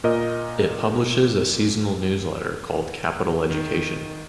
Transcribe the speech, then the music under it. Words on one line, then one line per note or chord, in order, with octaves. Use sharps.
It publishes a seasonal newsletter called "Capital Education".
A#2 A#4 D#5
D#3